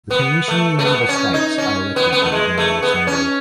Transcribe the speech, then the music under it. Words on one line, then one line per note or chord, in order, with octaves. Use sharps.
The Commission member States are elected by the General Assembly.
B3
A3
A3
B3
C#4
D#4
C#4
B3
B3
A3
G#3
A3
B3
C#4